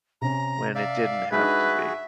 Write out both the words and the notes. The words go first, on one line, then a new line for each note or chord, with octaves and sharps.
when it didn't have to be.
C3 C#4 A#5
D5 E5 F5
G#3 D4 D#4 F#4 G#4 B4 E5